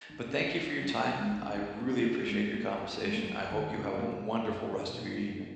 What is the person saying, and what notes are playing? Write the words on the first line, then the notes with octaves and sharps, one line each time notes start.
But thank you for your time, I really appreciate your conversation, I hope you have a wonderful rest of your evening.
D#4
C#4
B3
D#4
F#3
F3
G#3
D#4
C#4
D#4
C#4
G#3
A#3
G#3
A#3
B3
G#3
A#3
F#3
F3
D#3
C#3
G#2
A#2
A#2
G#2
F#2
F2
B2
A#2
G#2
F#2